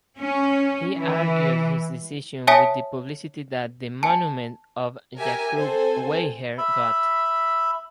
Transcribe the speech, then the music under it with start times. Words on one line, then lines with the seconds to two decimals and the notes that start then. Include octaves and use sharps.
He argued his decision with the publicity that the monument of Jakub Weiher got.
0.18 C#4
0.97 E3
2.47 C#5 E5 G#5 A5 D#6 B6
4.03 G#5 A5
5.19 G4 A#4 E5 G#5
5.55 C4 A4 C5 G#5
6.58 E5 B5